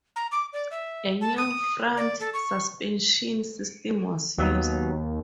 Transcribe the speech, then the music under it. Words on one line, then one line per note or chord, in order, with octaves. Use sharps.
A new front suspension system was used.
A#5
D6
D5
E5
A5
D#6
D5
A4
C#6
D#2 F#3 B3 D#4